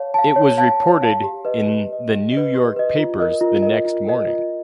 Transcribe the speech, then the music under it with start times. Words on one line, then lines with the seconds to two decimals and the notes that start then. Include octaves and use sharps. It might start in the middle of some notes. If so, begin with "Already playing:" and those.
It was reported in the New york papers the next morning.
Already playing: C#5 F5 A5
0.14 F5 A5
0.36 C#5
0.58 F5 A5
0.80 C#5
1.02 F5 A5
1.24 G4
1.45 B4 D#5
1.67 G4
1.89 B4 D#5
2.10 G4
2.32 D#5
2.37 B4
2.55 G4
2.76 B4 D#5
2.98 F4
3.20 A#4 D#5
3.41 F4
3.62 A#4 D#5
3.85 F4
4.07 A#4 D#5
4.28 F4